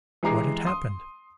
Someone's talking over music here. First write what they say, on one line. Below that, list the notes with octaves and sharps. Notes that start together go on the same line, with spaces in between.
What had happened?
E3 G#3 G4 A#5 D6 C7
C6 D#6